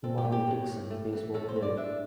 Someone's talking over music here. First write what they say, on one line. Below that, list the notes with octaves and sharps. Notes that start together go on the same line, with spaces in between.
Murry Dickson, baseball player.
C4 A4
G4
A3
G4
A2
A2
A3
E3
A2 A4
C5
A2
D5
D4 E5